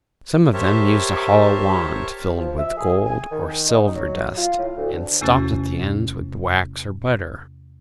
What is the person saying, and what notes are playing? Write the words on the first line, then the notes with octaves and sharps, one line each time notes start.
Some of them used a hollow wand, filled with gold or silver dust, and stopped at the ends with wax or butter.
G4 A#4 C5 C#5 E5 A5
F3
E5
G#4
G#5
D#3
D#4
F#3
F4
A2
D2
D3
E2 C3 A3 C#4 F#4 A6